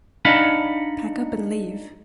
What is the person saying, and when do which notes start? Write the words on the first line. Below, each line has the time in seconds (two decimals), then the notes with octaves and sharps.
Pack up and leave.
0.25 D4 D#4 F5 F#5 B5